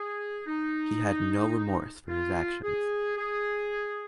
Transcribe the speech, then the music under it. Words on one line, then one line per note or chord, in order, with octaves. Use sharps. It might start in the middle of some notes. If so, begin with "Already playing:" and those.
He had no remorse for his actions.
Already playing: G#4
D#4
F4
G#4
G#4